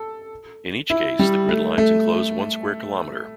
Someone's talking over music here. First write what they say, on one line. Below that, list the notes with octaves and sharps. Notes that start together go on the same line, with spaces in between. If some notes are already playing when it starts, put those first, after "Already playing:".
In each case, the grid lines enclose one square kilometre.
Already playing: A4
E4
G3
A3
A3